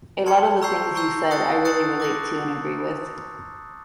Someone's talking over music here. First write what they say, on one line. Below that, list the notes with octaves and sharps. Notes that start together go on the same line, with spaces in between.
A lot of the things you said I really relate to and agree with.
A5 C6 F6 G#6 C#7
A#5 C#6 E6 G6 C7
A#5 C#6 E6 G6 C7
D#6 F#6 A6 C#7
D#6 F#6 A6 C#7
D6 F#6 A#6 C#7